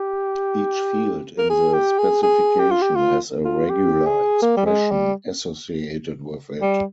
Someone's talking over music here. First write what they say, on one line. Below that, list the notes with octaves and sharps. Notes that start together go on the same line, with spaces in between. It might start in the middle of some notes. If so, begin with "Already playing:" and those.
Each field in the specification has a regular expression associated with it.
Already playing: G4
A#4
G#4
G4
G#4
G#4
G4
F4
G4
F4
F4
G4
G#4
A#3
G3
G#3
G3
G3